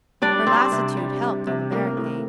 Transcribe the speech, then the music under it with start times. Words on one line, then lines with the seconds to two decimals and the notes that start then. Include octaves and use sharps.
Her lassitude helped on the barricade.
0.22 G3 D4 D5
0.47 G3 C4 C5
0.72 C3
0.97 G3
1.22 C3
1.47 C3
1.71 A2 A#3 A#4
1.97 A2